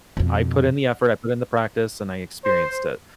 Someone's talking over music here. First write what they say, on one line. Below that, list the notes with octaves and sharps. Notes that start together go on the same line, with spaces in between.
"I put in the effort, I put in the practice, and I experienced it."
F2 B2
C5